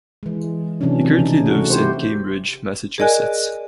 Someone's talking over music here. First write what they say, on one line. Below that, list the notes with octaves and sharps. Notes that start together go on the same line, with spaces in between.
He currently lives in Cambridge, Massachusetts.
E3 G#3
C3 E3 F#3 C#4 D4
C#4 D4
C#3 D#4
A3 F#4
E4 G4 A#4 C5
G#4 A#4 D5 D#5 G#5 F#6